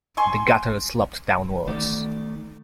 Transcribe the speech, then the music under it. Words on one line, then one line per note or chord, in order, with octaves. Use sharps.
The gutter sloped downwards.
G#5 C6 C#6
D#3 A3 D5